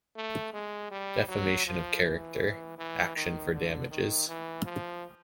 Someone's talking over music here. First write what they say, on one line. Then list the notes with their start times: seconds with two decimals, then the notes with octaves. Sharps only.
Defamation of character: action for damages.
0.16 A3
0.53 G#3
0.91 G3
1.28 F#3
1.66 F3
2.03 E3
2.78 E3
3.16 D#3
3.53 D3
3.91 D#3
4.28 E3
4.65 F3